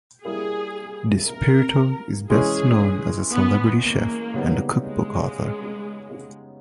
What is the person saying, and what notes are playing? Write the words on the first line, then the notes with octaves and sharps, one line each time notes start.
DiSpirito is best known as a celebrity chef and a cookbook author.
G3 A#3 E4 G#4
A#4
E3 G#3 C#4 G#4
B3
A#3
C#3 G3 B3 D#4
G#3